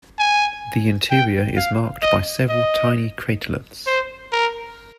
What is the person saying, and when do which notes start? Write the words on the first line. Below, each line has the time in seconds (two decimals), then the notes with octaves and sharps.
The interior is marked by several tiny craterlets.
0.19 G#5
1.10 G5
1.57 F5
2.02 D#5
2.49 D#5
3.87 C5
4.33 A#4